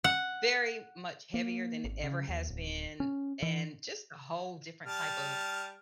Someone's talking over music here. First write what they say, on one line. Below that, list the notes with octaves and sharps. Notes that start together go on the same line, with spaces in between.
very much heavier than it ever has been, and just a whole different type of
F#5
A#3
G#1
C#3
D#2
D1
C#4
E3
G3 A5 F6